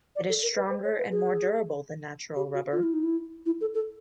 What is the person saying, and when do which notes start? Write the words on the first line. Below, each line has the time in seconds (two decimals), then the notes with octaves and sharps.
It is stronger and more durable than natural rubber.
0.16 D5
0.29 A4
0.42 A#4
0.56 B4
0.70 C5
0.84 C#5
0.98 B4
1.11 G#4
2.36 G4
2.54 F#4
2.72 F4
2.83 E4
2.93 D#4
3.03 E4
3.46 E4
3.61 A4
3.74 A4